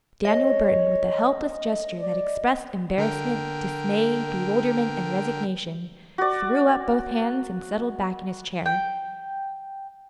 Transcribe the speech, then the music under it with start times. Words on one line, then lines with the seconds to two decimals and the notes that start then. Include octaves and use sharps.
Daniel Burton, with a helpless gesture that expressed embarrassment, dismay, bewilderment, and resignation, threw up both hands and settled back in his chair.
0.25 C#5 D#5
2.00 D5
2.98 D3 A#4 G5
6.18 F#4 D5
8.66 G5